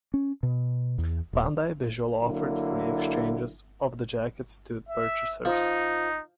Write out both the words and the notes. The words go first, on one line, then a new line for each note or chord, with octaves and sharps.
Bandai Visual offered free exchanges of the jackets to purchasers.
C#4
B2
E2
D#1
D3 F#3 A#3 E4
E5
F3 D#4